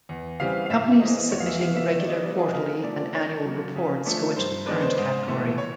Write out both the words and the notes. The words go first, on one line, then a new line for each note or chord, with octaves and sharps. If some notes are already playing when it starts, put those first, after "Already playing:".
Companies submitting regular Quarterly and Annual Reports go into the Current category.
E2
C#3 E3 G3 C4 F5
F5
A2 E5
E3 G#3 C4 D#5
E2 C#5
F5
E5
C3 E3 G#3 B3 F5
E5
D#3 E5
D5
D#5
G3 B3 D#4 D5
G#4
C#3 A#4
F3 A3 C4 D5
D5
D#3 C#5
F#3 A#3
C#3
F3 A3 D4
G2 C5
D#3 G#3 B3 D4 B4
C5
G#2 C5
E3 A3
C#5